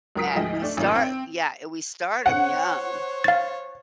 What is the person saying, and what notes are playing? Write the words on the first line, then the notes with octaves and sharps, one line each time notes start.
and we start, yeah, eh, we start 'em young.
C#2 F#3 A#4 D#6 B6 D7
D2 G#2 F3 G#4 D#5 G5
A3 D4 D5
A1 F#2 A#2
C4
C5 C#5 F#5
F5 A6